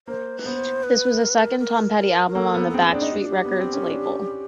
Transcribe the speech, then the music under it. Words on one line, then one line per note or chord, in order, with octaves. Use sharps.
This was the second Tom Petty album on the Backstreet Records label.
A#3 C5
B4
B3 C5
B4
A#4
B4
A#4
A#4
A#4
A#4
A#3 A4
B3
A4
C4 G#4
D4
D#4
D4 G4
G#4
G4
B3
C4
C#4
D4